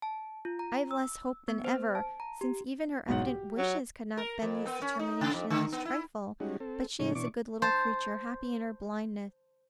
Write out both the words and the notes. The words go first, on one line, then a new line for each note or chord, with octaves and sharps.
I have less hope than ever, since even her evident wishes could not bend his determination in this trifle; but she is a good little creature, happy in her blindness.
A5
F4
A#5
E6
B3
C5
A5
A#5
G4
B1 G#2 F#5
G4
F#3
A#4
F2
B3
C#4
D#4
C#3
F2
D3
B3
E4
G3 G#3 C#4 D#4 F#4
C4 A4
A2 C#3 F3 G#3 C#4 C#5
B2 E3 D4 C#6 D6
C5 A5